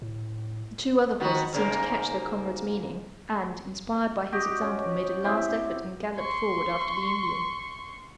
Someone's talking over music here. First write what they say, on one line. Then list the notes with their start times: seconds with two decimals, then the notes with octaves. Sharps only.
The two other horses seemed to catch their comrade's meaning, and, inspired by his example, made a last effort, and galloped forward after the Indian.
0.02 A2
1.20 D#3 B3 F#4
1.53 G#2 C#3 A#3
4.32 F#4 G4 D5 D#5
4.61 C#4
5.24 C4 E4 G4
6.16 C6 C#6